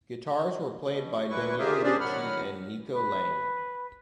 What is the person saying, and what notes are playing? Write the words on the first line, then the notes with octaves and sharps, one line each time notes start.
Guitars were played by Daniele Lucci and Nico Lange.
B2
D2 A#2 E4 B4 C#6
F4 G4 G#4 A#4 C5 E5
C#4 D4 G4 G#4 C5 D5
A2 D#3 F#3 F#5 B5 F6
B4